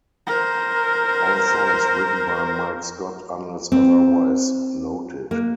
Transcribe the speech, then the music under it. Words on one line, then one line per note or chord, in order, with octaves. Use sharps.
All songs written by Mike Scott, unless otherwise noted.
A#4 C5
C4
A#3